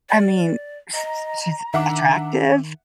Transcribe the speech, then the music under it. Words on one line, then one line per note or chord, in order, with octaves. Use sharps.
I mean, sh sh she's attractive,
D5
D#5 A#5
D#3 D4 E5 F#5 D6